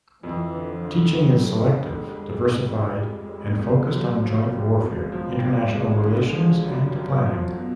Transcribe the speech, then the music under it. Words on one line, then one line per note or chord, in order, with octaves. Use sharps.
Teaching is selective, diversified, and focused on joint warfare, international relations, and planning.
F2 E3
D3
F3
D3
D3 F#3
G3
G#3
D3
G3
G3
F2
G3
G3
G1
F#2 F#3
F3
G3
F#2
G#1 G#3
F3
G3
F3
G#1 G#3
D3
G#3
F3
F#2 G3
F#2
F#3
F3
B2